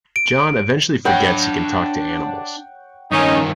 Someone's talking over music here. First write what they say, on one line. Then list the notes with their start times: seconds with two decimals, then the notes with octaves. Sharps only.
John eventually forgets he can talk to animals.
0.16 D7
1.05 D4 C#5 F#5 G5 B5
3.12 G2 D#3 C#4 D#4